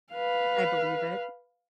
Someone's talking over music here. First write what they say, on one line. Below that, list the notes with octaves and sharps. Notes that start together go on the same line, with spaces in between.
I believe it.
B4 F5